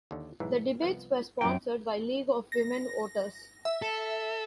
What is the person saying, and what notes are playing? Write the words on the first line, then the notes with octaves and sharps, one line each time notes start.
The debates were sponsored by League of Women Voters.
D#2 D3
B1 G#2 E3
C2 F3 B3
F#2 A#2 E3 A#3 G5
A#6
E5
A4